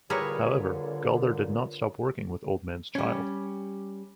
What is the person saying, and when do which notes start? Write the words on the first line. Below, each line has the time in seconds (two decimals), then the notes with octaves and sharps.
However, Galder did not stop working with Old Man's Child.
0.10 A#2 D3 G3 E4 G#4 A#4 B4 C#5
2.95 G3 C#4